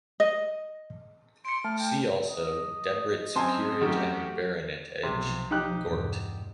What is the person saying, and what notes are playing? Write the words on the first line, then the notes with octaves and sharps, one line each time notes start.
See also "Debrett's Peerage and Baronetage" - Gort.
D#5
C6 C#7 D7
A3 A5 F6
G5
D#5
F#2 C4 C5 G#5 A5
F#2 A3 F#4 G4
B1 C3 F3
F3 D#4 G4 F#6
E2 G2 B2